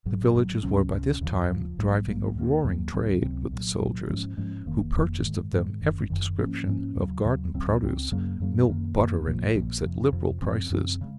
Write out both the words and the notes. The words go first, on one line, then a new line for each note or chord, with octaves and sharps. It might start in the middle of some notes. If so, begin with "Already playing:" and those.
The villagers were by this time driving a roaring trade with the soldiers, who purchased of them every description of garden produce, milk, butter, and eggs at liberal prices.
G#1 G#2 F#3
G#1 G#2 F#3
C#2 C3 F#3 C#4
C#2 C3 F#3 C#4
D#2 C#3 F3
D#2 C#3 F3
A#1 G#2 F#3 A#3
A#1 G#2 F#3 A#3
D#2 D#3 F#3 A#3
D#2 D#3 F#3 A#3
C#2 C3 F#3 C4
C#2 C3 F#3 C4
C2 A#2 F#3
C2 A#2 F#3
G#2 F3 G#3 C#4
G#2 F3 G#3 C#4
F1 F2 D#3 A#3
F1 F2 D#3 A#3
G#2 D#3 G#3
G#2 D#3 G#3
F#1 F#2 D#3
F#1 F#2 D#3
G#2 F3 A#3 C#4
G#2 F3 A#3 C#4
D#2 C#3 F#3
D#2 C#3 F#3
C#2 C#3 F#3 C4
C#2 C#3 F#3 C4
F#2 C#3 F#3 A#3
F#2 C#3 F#3 A#3
F#2 D#3 A#3
F#2 D#3 A#3
A#1 A#2 F3 A#3
A#1 A#2 F3 A#3
F2 C3 F3
F2 C3 F3
F#2 C#3 F3 C4
F#2 C#3 F3 C4
C#3 G#3